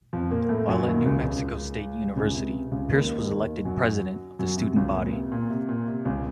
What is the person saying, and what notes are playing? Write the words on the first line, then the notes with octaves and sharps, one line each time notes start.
While at New Mexico State University, Pearce was elected president of the student body.
F2 F3
A#2 A#3
A2 A3
F#2 F#3
D#2 D#3
C#2 C#3
C#2 C#3
C#2 C#3
C3
C3
C3
C#2 C#3
D#2 D#3
D#2 D#3
F#2 F#3
F#2 F#3
C3
C#2 C#3
A#2
C3
A#2
C3
A#2
C3
C#2 C#3